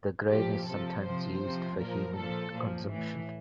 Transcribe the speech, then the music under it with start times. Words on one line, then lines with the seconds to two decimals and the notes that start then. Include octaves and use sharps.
The grain is sometimes used for human consumption.
0.29 A#2 F3 G4
0.67 C3 F3 A4
1.03 C3 F3 C5
1.41 C3 F3
1.78 A#2 F3 A#4
2.16 A#2 F3 A4
2.53 A#2 F3
2.91 A2 E3